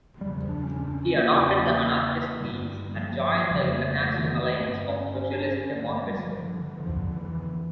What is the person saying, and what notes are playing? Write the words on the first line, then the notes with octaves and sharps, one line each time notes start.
He adopted the anarchist these and joined the International Alliance of Socialist Democracy.
E2 C#3 G3
F3
D4
C#4
D4
C#4
A#3
E2 C#3 C#4
A#3
G2 D3 G3
F3
F3
F2 C#3 G3
A3
A3
A3
G2 D3 A3
C#4
C#4
D4
C#4
D3
G2
A3
G3
F3
D3
E3
F2 D3 F3
D3
E3
E3